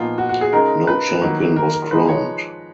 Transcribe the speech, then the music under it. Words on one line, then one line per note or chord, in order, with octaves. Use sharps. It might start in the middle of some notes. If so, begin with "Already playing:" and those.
No champion was crowned.
Already playing: A#2 F3 B3 D#4 F4
F#4
F#4
G#4
C#3 G#3 D#4 A#4
B4
D#3 F#3 A#3
A#4
A#4
F3 G#3 D#4 B4
C#5